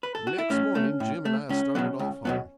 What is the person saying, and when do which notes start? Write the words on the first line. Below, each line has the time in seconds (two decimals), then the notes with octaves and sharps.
The next morning Jim and I started off home.
0.03 B4
0.15 A4
0.27 F#4
0.38 E4
0.50 A2 C#4
0.75 A3
1.00 A2
1.25 A3
1.49 C#2 C#4
1.75 B2 F#3 B3
1.99 C#2
2.25 B2 F#3 B3